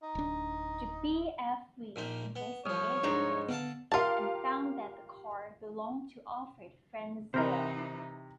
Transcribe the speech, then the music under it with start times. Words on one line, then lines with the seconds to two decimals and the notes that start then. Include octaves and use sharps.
The BfV investigated this, and found that the car belonged to Alfred Frenzel.
0.03 D#4
0.15 D1 D4
1.96 A#1 A#2 D#4
2.36 B3
2.66 C2 F3 C#5 D#6 F6
3.03 G#2 G#3 D4 D#4
3.49 D3 B3 F5 A5
3.92 F4 G4 A#4 F5 A5
7.34 C3 E3 D#4 E4 A#4 C5 A#5